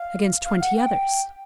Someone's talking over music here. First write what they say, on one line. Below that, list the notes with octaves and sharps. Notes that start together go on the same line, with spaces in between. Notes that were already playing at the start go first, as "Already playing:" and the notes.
"Against twenty others."
Already playing: F5
F5
F#5
G5